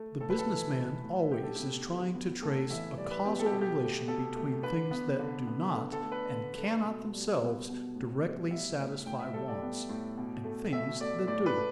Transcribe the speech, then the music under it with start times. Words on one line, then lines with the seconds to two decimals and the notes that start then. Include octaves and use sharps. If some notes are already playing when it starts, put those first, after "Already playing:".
The business man always is trying to trace a causal relation between things that do not and cannot themselves directly satisfy wants, and things that do.
Already playing: A3
0.20 A2 A4
0.30 B4
0.39 A4
0.49 E3
0.76 A3
1.04 A2
1.31 D3 G4
1.43 A4
1.55 B3 G4
1.86 D3
2.14 B3
2.42 A2 A4
2.70 E3 E5
2.97 G3 D5
3.11 B4
3.24 B3 G4
3.39 A4
3.46 G4
3.52 B2
3.61 G4
3.80 A3
4.08 B2 A4
4.36 A3
4.63 D3 B4
4.91 B3
5.19 D3
5.47 B3
5.74 D3
5.92 A4
6.02 A3
6.12 B4
6.30 D3
6.58 A3
6.85 B2
7.13 G3
7.41 B3
7.69 B2
7.95 A2
8.23 G3
8.50 B3 E5
8.79 A2
9.06 A2 G5
9.20 E5
9.34 G3 A4
9.48 D5
9.62 B3
9.89 A2
10.17 B2
10.44 A3
10.72 B2 E5
11.00 A3 D5
11.27 A2 D5
11.46 B4
11.55 A3